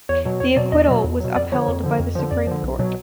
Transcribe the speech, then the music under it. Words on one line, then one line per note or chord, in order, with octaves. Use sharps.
The acquittal was upheld by the Supreme Court.
E2 C#5
B2 F#3
E2 C#5
B2 F#3 D5
E2 D#5
B2 F#3
E2
B2 F#3
F2 D5
D3 F3 C#5
F2
D3 F3
F2
D3 F3
F2 D5
D3 F3
B1
B2 F#3